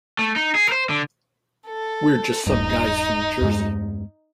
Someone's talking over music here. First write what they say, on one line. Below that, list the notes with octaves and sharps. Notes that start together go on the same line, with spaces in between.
We're just some guys from Jersey.
A3
D#4
G#4
A#4 C5
D3
A4
D#1 G2 D#4
E2 G2 G#3